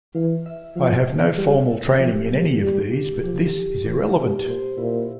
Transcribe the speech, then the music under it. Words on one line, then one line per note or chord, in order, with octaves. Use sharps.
I have no formal training in any of these, but this is irrelevant.
E3 F5
E5
F3 F5
G3 A4
A4
F3 G4
G3
G3 G4
G4
A4
F3 G4
E3 G4
C3
A#2 C5
A#2 E4